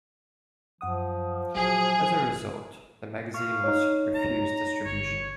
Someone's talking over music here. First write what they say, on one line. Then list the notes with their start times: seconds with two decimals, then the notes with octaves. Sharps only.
As a result, the magazine was refused distribution.
0.81 F#2 F3 F#5 D#6
1.55 A#1 F#3 G#4
3.34 F5 C#6
3.64 D#4 C#5
4.15 A#5
4.86 G1 C#5